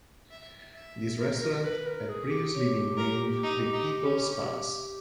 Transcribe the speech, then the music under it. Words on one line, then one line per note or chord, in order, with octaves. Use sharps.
This restaurant had previously been named The Peoples Palace.
E5
E5
A#4
A#4
B4
A#4
G#4
G4
C#5
A#4
D#4
D#4
C#4
G4